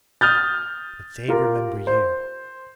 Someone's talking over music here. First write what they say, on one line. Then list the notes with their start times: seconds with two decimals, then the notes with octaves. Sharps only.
But they remember you!
0.21 D#6 F6 G6 A6
1.28 F4 G4 A#4
1.87 C5